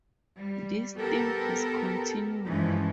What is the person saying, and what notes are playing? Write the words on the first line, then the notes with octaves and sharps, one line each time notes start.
This theme has continued.
G3
B3 G4 A4 A#4
G2 E3 F3 G#3 C#4